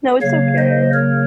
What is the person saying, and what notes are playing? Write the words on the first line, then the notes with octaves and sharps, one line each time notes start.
No, it's okay.
C#3 F#3 A#3 C#5 F5
C5 D#5
A#4 C#5